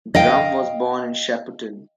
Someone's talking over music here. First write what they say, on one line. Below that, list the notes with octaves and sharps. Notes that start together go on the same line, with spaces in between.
Drum was born in Shepparton.
D#5 F5 G5